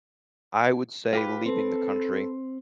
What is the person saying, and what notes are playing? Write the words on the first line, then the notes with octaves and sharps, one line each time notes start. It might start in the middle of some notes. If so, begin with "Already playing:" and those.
I would say leaving the country,
F4 G4 B4
C4 A4 B4